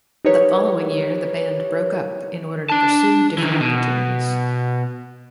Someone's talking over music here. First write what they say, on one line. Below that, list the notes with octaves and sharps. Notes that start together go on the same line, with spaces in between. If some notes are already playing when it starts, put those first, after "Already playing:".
The following year the band broke up in order to pursue different opportunities.
D#4 E4 G4 A#4 B4 C#5
D4 A5
D#3 E3
B2